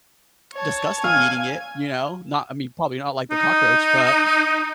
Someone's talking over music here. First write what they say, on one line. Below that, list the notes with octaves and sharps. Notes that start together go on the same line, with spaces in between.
disgusting eating it, you know? Not I mean, probably not like the cockroach, but
C#5 A5
F5 G#5
D#4